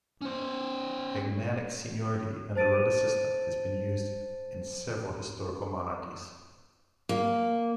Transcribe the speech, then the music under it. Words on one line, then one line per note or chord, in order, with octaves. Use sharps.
Agnatic seniority and the rota system has been used in several historical monarchies.
C#4 C5
C5 A5 A6 D7 D#7
A#3